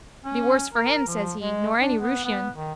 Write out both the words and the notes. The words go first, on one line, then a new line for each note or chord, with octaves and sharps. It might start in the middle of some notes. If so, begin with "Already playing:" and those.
Be worse for him, says he, nor any Rooshian.
C#4
A#4
F3
G#3
D4
B3
B3
D#3